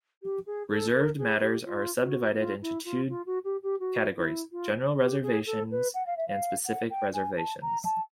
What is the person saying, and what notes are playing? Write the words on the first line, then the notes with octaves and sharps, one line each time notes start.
Reserved matters are subdivided into two categories: General reservations and specific reservations.
G4
G#4
A4
A#4
G#4
G4
F4
F#4
F4
E4
F4
F4
F#4
G4
G4
F#4
E4
F4
G4
G#4
A4
B4
F#5
F5
E5
F5
F#5
G5
G#5
A5
A#5
A5